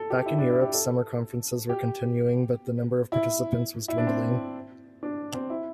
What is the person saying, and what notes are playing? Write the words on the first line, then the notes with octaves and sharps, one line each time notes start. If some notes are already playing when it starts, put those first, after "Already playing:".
Back in Europe, summer conferences were continuing but the number of participants was dwindling.
Already playing: A4
G4
E4
D4
E4
G4
A4
G4
E4
E4
D4
C4
D4
C4
E4